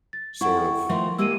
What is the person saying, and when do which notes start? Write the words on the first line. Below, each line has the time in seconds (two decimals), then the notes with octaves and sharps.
sort of
0.13 A6
0.41 E4 F#5 G5 C#6
0.89 D#3 F3 A3 E5 C6
1.18 G#3 A#3 G4 E6 D#7